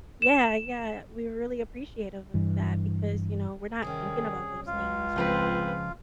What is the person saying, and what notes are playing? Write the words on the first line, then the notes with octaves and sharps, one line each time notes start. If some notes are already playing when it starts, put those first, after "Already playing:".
Yeah, yeah, we were really appreciative of that because, you know, we're not thinking about those things, we're
E7
G2 E3
C3 D#3 G3 C#4 G#4
C#2 F4
C#3 F3 G#3 C4 B4